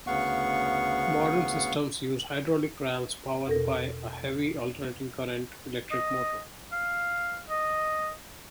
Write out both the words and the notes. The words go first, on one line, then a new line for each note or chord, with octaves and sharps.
Modern systems use hydraulic rams powered by a heavy alternating current electric motor.
D2 C#3 B3 F5 F#5 C#6
E2 B2 A4 A#4 A#6
D#5
F5
D#5